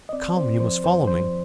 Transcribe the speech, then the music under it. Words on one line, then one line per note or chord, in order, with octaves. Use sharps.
"Come, you must follow me!"
D#5
C4 D5
C4 C5
F3 C5
F2 C5
F3 C5